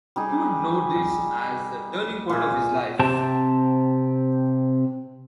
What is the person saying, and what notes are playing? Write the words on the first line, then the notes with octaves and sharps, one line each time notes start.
He would note this as the turning point of his life.
G3 D#4 G#4
A#2 G#4
C3 C4 G4 A5